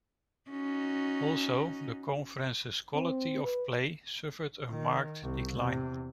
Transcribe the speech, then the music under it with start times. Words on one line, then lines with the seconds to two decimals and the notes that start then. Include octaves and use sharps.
Also, the conference's quality of play suffered a marked decline.
0.50 C#4 D#4 F#4
2.95 C4
3.45 B4
4.69 D#3
5.22 C2
5.58 E2 C3